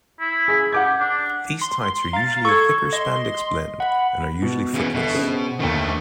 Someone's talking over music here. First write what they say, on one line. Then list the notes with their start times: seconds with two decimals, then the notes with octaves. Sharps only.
These tights are usually a thicker spandex-blend, and are usually footless.
0.20 E4
0.48 G#4 B6
0.72 G4 F#5 D6 G#6
1.00 D4
1.61 C6
2.13 F5 A#5 A6
2.45 A4 C#6 G#6
2.93 D#5 C6
3.80 F#5 B5
4.42 B2
4.74 C#3 E3
4.94 G1 B2
5.14 C#3 C4
5.59 D#2 D3 D#3 A3